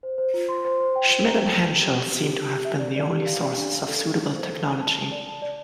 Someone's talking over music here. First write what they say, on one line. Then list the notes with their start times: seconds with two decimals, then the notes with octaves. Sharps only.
Schmidt and Henschel seem to have been the only sources of suitable technology.
0.03 C5
0.18 C5
0.34 F4
0.49 C6
0.65 C5
0.80 C5
0.96 G5
1.11 C5
1.26 A#5
1.41 A#5
1.57 C5
1.72 G4
1.88 G4
2.02 G4
2.18 G4
2.33 G4
2.49 G4
2.65 E5
2.79 D5
2.96 D5
3.10 G4
3.26 F5
3.42 D5
3.57 D4
3.72 F5
3.88 A4
4.04 A4
4.19 A4
4.34 C5
4.49 A4
4.65 D5
4.80 A5
4.96 A5
5.12 D5
5.27 A5
5.42 D5